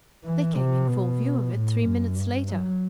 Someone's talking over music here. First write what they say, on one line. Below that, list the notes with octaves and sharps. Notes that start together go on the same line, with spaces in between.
They came in full view of it three minutes later.
E3
C3
B2
A2
F#2
G2
F#3